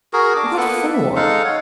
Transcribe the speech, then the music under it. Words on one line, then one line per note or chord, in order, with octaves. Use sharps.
What for?
F#4 G#4 A#4
D4 D6
A#3 B3 A4 B4
E5
G#3 D#4 A4 F5
C#5 F#5